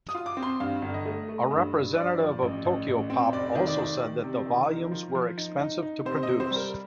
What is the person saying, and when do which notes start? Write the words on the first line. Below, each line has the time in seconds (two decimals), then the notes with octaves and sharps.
A representative of Tokyopop also said that the volumes were expensive to produce.
0.09 D#6
0.14 F4
0.26 D6
0.37 C4
0.43 C6
0.60 G2 F5
0.82 G1
0.94 D#5
1.06 A3
1.28 A3
1.51 G2
1.73 G2
1.96 G2 D5
2.19 F3
2.42 A1
2.65 A1
2.87 A1
3.10 C4
3.32 F1 D5
3.55 D#3
3.67 D5
3.79 D#3
4.01 D#3
4.24 C3
4.46 D#3
4.69 D#4 A#4
4.91 F3
5.15 F3
5.37 D#4
5.60 D#4
5.82 D#4
6.05 C3 C5
6.23 D#5
6.29 C3
6.40 C5
6.50 G3
6.56 A#4